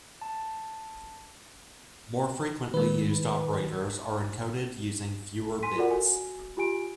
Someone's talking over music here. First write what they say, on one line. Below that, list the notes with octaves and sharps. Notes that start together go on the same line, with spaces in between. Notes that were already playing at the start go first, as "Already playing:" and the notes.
More frequently used operators are encoded using fewer bits.
A5
D#3 G#3 B4
G#5 C6 B6 D#7
F4 F#4 A4 A#4 D5 F#5
F#4 G#5
F4 G4 G#5 D7